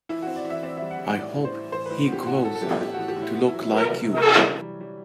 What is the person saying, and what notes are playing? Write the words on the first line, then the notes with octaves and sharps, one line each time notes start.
I hope he grows up to look like you.
E3 E4
C4 F#4
D5
E3
E5
C4 D5
E5
G3
F#5
G3
F#5
A2 D5
A2
C5
E3
A2 C5
A2 B4
B3 G4
A2 F#4
A2 A4
A4
B3 G4
A2 G4
A2 F#4
G4
A2
E4
B3
E4
F#3
E4
F#3
C3
C3
F#3
E3
G3
G3